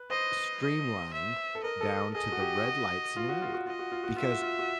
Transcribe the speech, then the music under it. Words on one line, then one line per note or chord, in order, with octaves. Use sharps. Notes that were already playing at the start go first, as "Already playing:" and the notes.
streamlined down to the red light scenario because,
Already playing: B4
C5 D#5
D#5
E5
A4
A#4 D#5
A4
A4
G#4 D#5
F#4
G4
F#4
F4
F#4
F4
F#4
F4 D#5
F#4
F4
F#4
F4 E5
F#4
F4
F#4